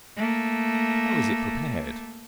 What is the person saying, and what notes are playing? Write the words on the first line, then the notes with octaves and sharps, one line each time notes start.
How is it prepared?
A3 A#3